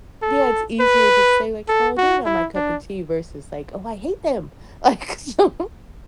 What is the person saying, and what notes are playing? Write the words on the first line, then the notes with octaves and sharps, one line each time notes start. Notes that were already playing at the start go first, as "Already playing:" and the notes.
yeah, it's easier to say, like, "Oh, they're not my cup of tea." versus, like, "Oh, I hate them!" Like, so
A4
B4
A4
F#4
E4
D4